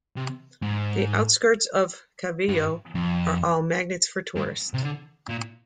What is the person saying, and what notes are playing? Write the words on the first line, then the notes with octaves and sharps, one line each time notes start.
The outskirts of Calvillo are a magnet for tourists.
C3
G#2
G2
F2
G2
C3
D3
A#2